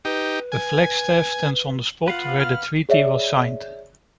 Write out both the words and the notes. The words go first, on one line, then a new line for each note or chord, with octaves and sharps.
A flagstaff stands on the spot where the Treaty was signed.
D#4 G4 B4
G#5
F4 B4 F5 F#5
F6
G#4 C#5 D5 E5